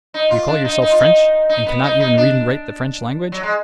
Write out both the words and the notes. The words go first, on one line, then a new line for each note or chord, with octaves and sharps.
You call yourselves French, and cannot even read and write the French language?
D#4
F4
D4
D#4
D#4
F4
D#4
D#4
B3
D#4
D#4
D4
F#3
G#3